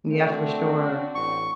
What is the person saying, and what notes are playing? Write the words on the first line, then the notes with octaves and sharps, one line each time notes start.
Yeah, for sure.
A3 C4 D4 F#4
A1 C#6